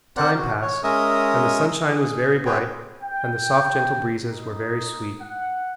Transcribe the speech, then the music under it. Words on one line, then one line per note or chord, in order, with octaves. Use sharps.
Time passed and the sunshine was very bright and the soft, gentle breezes were very sweet.
C4 A#4 C5 D5 F#5 F#6
F#4
C#5
G#3 C#4 A#4 D#5 E5 D#6
G#4
C4 F#4 G#4 B4 C#5 G5
G5
D#4
F#5